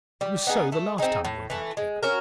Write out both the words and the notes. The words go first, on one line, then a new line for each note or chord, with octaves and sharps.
It was so the last time we went out together.
G3
B3 D#4 G#4
A3
C4 D#4 G#4
A2
E3 A3
G#3
C#4 F#4 A#4